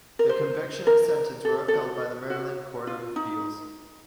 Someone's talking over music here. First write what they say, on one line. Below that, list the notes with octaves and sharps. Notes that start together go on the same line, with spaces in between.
The conviction and sentence were upheld by the Maryland Court of Appeals.
A#4
C5
A#4
A4
A4
F#4
F#4
F4
D#4